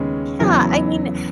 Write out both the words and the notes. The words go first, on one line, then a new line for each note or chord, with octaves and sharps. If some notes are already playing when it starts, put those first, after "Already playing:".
Yeah, I mean s
Already playing: D#2 C#3 G#3 B3 C#4
E2 C#3 E3 F#3 B3 E4